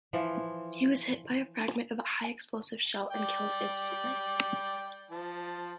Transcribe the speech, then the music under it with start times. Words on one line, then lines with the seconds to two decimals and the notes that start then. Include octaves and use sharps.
He was hit by a fragment of a High Explosive shell and killed instantly.
0.13 E3 F3
3.11 D5 G5
5.11 F3 A5